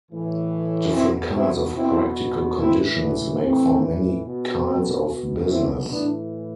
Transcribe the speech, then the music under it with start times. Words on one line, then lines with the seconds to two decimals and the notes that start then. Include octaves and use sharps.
Different kinds of practical conditions make for many kinds of business.
0.11 A2 E3
0.93 B2 C4 E4
1.34 C4 E4
1.75 B2 C4 E4
2.59 A2 E3 C4 E4
3.00 B3 D4
3.41 A2 E3 A3 C4
4.25 B2
4.66 A3 C4
5.07 B2
5.49 C4 E4
5.90 A2 E3 B3 D4